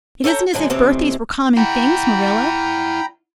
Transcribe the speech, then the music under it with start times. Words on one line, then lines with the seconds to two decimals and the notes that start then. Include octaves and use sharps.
It isn't as if birthdays were common things, Marilla.
0.24 A4 C#5 D5 G5 A#5
0.53 G#2 D3 F#3 G#3
0.70 F2 A2 C3 E3 C4
1.57 E4 F#5 G5 A#5 B5